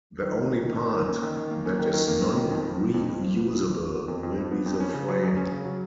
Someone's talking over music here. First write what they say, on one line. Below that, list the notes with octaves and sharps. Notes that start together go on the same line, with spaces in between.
The only part that is non-reusable will be the frame.
D#3
A#3
C#4
D#3
D#3
A#3
C#4
D#3
D#3
A#3
C#4
D#3
D#3
A#3
C#4
D#3
F2
F3
B3
F2
F2
F3
B3
F2
F2
F3
B3
F2
F2
F3
B3
F2
C#4
C#3
F#3
F#2
C#4
C#3
F#3